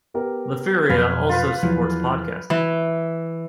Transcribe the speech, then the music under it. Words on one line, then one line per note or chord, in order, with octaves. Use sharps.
Liferea also supports Podcasting.
B3 G4 A#4
F2 B2 F#3 B4 F5 G#5
F4 B4
E2 F3 F#3
E3